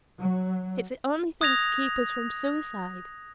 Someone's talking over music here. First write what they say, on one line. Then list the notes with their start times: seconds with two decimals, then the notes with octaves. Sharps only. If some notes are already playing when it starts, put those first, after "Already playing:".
It's the only thing to keep us from suicide.
0.18 F#3
1.41 D#6 F#6 G#6 A#6 F7